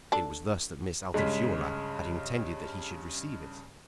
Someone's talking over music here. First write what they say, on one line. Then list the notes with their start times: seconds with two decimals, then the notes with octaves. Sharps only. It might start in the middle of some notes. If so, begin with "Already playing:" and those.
It was thus that Miss Altifiorla had intended that he should receive it.
0.12 D4 A4
1.14 G2 C#3 G#3 B6